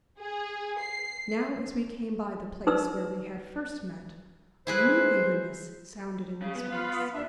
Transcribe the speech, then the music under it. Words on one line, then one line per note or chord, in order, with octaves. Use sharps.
Now, as we came by the place where we had first met, a new eagerness sounded in his voice.
G#4
C7
D#4 B4 D5 E6
E4 G#4 B4 C5
C#3
B3
F4 F5 B5
D#2 D4 E5